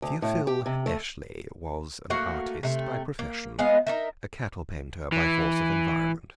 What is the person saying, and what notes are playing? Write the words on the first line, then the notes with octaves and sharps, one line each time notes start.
Theophil Eshley was an artist by profession, a cattle painter by force of environment.
D2
A2
G4
C3
A3
A3 A#3 F#4 F5
C3 A3
A#3
G#3 B3 D#5 F5
D#4 A#4 E5
E3